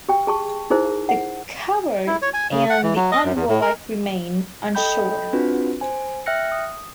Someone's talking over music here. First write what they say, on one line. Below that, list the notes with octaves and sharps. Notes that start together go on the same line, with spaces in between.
The coward and the unwarlike remain unshorn.
G4 G5
G#4 A5 C#6
D#4 E4 G#4 A#4 C5
F#5
E4
C#5
G#5
C#3
F#5
E3
F#3
D#5
F#2
E2
A2
A#4
A4 D#5 G5 B5 G6
C4 D4 F4 F#4 B4
C5 G#5
E5 G5 F6 F#6 A#6 C#7
D#6